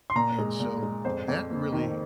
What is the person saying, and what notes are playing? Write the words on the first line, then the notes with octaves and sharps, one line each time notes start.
and so, that really
C6
A#2 A#5
G#3
A#2
G#3
F2 C5
F2
A#3
D#3